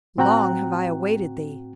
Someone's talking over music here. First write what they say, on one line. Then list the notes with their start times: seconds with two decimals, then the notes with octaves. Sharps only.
Long have I awaited thee!'
0.18 A2 C4 F#4 G5 A#5 F#6